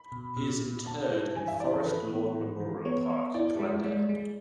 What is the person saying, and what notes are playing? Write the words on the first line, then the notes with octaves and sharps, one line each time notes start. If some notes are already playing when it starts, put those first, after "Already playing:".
He is interred in Forest Lawn Memorial Park, Glendale.
Already playing: B5
B2
B2
B2
B2 A5
E4
E3 G#5
E5
E4 D5
A4
E3 B4
B3
E3
E3
B3 C#5
B3
E4 D5
G#3
G#3
G#3